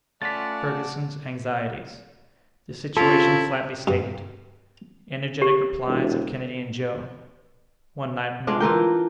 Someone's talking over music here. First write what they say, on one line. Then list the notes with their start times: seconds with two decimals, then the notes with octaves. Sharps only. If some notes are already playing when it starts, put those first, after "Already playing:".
Ferguson's Anxieties.--The Situation flatly stated.--Energetic Replies of Kennedy and Joe.--One Night more.
0.22 A3 C#4 F4 D5 F#5 A5 A6 B6
2.97 C3 C#4 E4 F4 A4
3.87 G2
5.42 G4
5.87 E1
8.47 G#3 D4 F4
8.60 E3 F4 A#4 G5